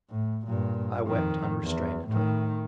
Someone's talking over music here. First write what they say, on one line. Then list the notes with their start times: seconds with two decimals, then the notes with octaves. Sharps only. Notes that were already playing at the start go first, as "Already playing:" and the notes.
I wept unrestrainedly.
0.10 A2
0.47 G2 A#2
1.07 F2 D#3
1.64 E2
2.08 A2 D#3